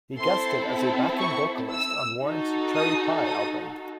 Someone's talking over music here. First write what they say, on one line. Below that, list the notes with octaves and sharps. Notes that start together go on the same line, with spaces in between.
He guested as a backing vocalist on Warrant's "Cherry Pie" album.
C4 E4 A4 C6
C#6
E6
D#4 F#4 A4
D#6
D#6